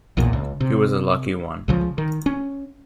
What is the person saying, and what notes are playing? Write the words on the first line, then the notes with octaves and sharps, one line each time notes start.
He was a lucky one.
B1 E2 A#2
C#2
C3
C#2 C#3 F3
D#3
C#4